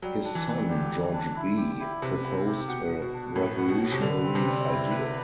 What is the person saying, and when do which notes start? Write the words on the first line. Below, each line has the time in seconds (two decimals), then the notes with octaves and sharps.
His son George B proposed a revolutionary idea.
0.02 F#3 G3
0.25 D4
0.35 E3
0.47 G3
0.70 D3 G4
0.91 G3
1.13 D4
1.36 E4
1.57 G4
1.80 E4
2.02 C3 B4
2.25 E4
2.47 G4
2.68 B2 F#5
2.91 F#4
3.02 B2
3.13 D4
3.36 A2 B4
3.58 F#5
3.68 B2
3.79 F#4
3.92 C3
4.02 D3 B4
4.24 C4
4.35 C3
4.47 G3
4.68 E4
4.90 B4